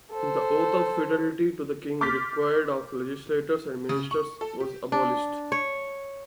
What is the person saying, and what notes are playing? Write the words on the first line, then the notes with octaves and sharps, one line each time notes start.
The oath of fidelity to the king required of legislators and ministers was abolished.
A4 C5
C6 D6 F6 G6 A6 B6
C#3
C#6
A4
G4
D4
C#5